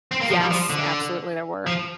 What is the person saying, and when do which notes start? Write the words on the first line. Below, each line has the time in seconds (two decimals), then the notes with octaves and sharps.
Yes, absolutely there were,
0.11 C4
0.21 A#3
0.31 F3
0.41 G3
0.51 F3
0.70 D3
1.67 F3